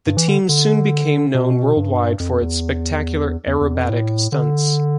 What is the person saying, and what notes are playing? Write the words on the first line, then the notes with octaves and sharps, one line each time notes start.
The team soon became known worldwide for its spectacular aerobatic stunts.
G2
E3
D3
D3
B2
G2
F2
E2
E2
E2
F2
A2
D3